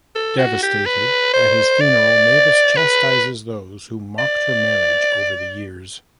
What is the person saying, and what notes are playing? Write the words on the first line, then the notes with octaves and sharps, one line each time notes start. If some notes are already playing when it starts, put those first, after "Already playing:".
Devastated, at his funeral Mavis chastises those who mocked her marriage over the years.
A4
F#4
G4
B4
C5
D5
B4
D5